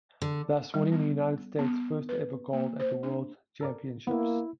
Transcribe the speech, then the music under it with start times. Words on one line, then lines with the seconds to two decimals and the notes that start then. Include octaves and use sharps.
Thus winning the United States's first ever gold at the World Championships.
0.22 D3
0.74 G3
0.92 B3
1.59 B3
2.09 B4
2.53 A#3
2.80 C5
3.03 D4
3.61 A4 A#4 D5
4.07 A#3 B3 E4